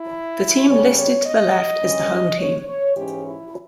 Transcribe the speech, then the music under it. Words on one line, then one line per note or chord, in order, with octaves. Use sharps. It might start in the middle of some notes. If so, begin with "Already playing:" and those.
The team listed to the left, is the home team.
Already playing: E4
C#3 G3 C#4 C#5
C#5
D#5
G2 G3 C#4
C#5
C#5
G#2 E3 G#3 C#4 G4
E4